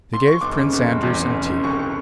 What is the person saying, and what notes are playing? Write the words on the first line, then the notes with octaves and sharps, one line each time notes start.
They gave Prince Andrew some tea.
C6
C#6
F1 D6
C#3
F1
F1
E2
F1
F1
C#3
C2 C#6
C#6